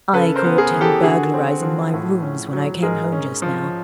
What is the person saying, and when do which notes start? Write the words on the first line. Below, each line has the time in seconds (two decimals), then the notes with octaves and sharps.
I caught him burglarizing my rooms when I came home just now.
0.13 C#3 A4 B4
0.35 A#4 C5
0.44 B3
0.58 G#4 A#4
0.74 E3
0.81 G4 A4
1.03 D3 F#4 G#4
1.34 C4
1.63 F3
1.94 A2
2.22 C#4
2.53 F#3
2.83 G#2 G#4 A#4
3.12 C#4
3.42 F3